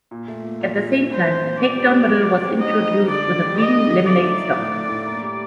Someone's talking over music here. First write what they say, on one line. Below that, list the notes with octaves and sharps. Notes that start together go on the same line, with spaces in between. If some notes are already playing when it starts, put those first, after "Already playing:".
At the same time a "Takedown" model was introduced with a green laminate stock.
A#2
A3
A#2
A#2
A#2
A#2
A#2 C5
C4
A#2
C4 D5
G3
C4
G3
G3
C4
D#4 D#5
G3
D#4
D3 D5
D3
G3
D3 D#5
D4
D3
A3 D5
D#4
A3
A2
A2
A2
A#3
G3